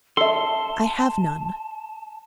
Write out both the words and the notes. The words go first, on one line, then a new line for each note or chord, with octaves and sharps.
"I have none."
A4 E5 A5 C6